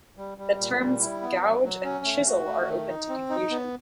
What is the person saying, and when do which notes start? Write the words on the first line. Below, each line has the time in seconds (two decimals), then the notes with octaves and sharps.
The terms "gouge" and "chisel" are open to confusion.
0.17 G3
0.38 G3
0.59 A#2
0.79 G3
1.00 E4
1.22 B3
1.42 F#3
1.63 F#3
1.84 C#4
2.05 A3
2.26 F#4
2.46 A3
2.67 D#3
2.88 D#4
3.09 C4
3.30 D#4
3.51 B3